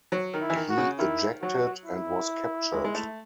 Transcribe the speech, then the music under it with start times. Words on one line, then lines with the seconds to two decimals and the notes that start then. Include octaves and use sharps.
He ejected and was captured.
0.12 F#3
0.33 D#3
0.41 E4
0.50 E3
0.55 D#3
0.69 F#4
0.77 C#3
0.98 D#3 E4
1.42 F#3 F#4
1.86 E4
2.73 G#3
2.85 G#3
2.95 A3